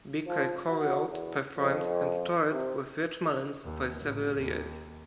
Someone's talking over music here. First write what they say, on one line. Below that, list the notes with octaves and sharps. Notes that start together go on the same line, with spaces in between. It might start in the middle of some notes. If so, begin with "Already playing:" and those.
Beaker co-wrote, performed, and toured with Rich Mullins for several years.
F3
F#4
E2
F2
C3
D#2
A1
D#2